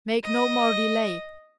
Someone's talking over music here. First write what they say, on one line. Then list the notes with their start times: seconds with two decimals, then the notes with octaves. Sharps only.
Make no more delay!
0.23 D#5